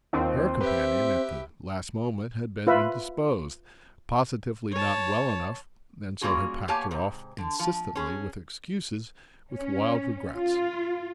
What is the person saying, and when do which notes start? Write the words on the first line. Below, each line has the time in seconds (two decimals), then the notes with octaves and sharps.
Her companion, at the last moment, had been indisposed--positively not well enough, and so had packed her off, insistently, with excuses, with wild regrets.
0.13 D#2 C4 D#4 F4
0.61 G4 B4 E5
2.67 F4 B4 E5
4.73 C#5 A5
6.21 G3 A#3 C#4 F4 F#4 G#4
6.68 A#3 B3 G4 C#5 G#5 A5
6.91 G#2 C3
7.38 D3
7.60 F3
7.95 C#4 G#4
9.54 C#4
10.34 F4